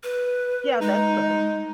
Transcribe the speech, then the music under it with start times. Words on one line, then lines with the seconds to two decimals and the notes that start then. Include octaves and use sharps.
Yeah, that's good.
0.03 B4
0.81 G#3 D#4